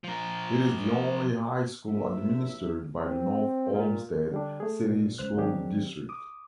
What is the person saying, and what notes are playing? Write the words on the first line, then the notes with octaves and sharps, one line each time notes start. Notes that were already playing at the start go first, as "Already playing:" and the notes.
It is the only high school administered by the North Olmsted City School District.
F3 A#4
A#1 E5
C4
A#2
D3 G3 D4
A3 G#4
A#2
C#2 C5 F#6
D#3 F#3 C4 D4 G4 G#4
D6 D#6